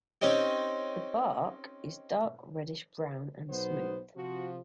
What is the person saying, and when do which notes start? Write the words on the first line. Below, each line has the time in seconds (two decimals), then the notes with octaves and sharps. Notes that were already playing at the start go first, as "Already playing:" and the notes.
The bark is dark reddish brown and smooth.
0.22 C4 C#4 D#4 G4
3.49 B1 B3 C5
4.16 C3 F3 F#4